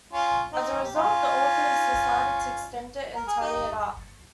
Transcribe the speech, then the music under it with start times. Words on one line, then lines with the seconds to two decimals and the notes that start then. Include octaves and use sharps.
As a result, the authors decided to extend it and tidy it up.
0.13 C#4 F4
0.53 C4 D#4
0.83 G4
0.94 C#4 F4
3.15 A#4
3.27 G#4
3.40 D#4 G4